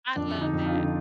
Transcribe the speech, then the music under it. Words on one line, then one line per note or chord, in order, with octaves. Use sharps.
I love that.
F2 D4
D3
D#4
F2
F4
D3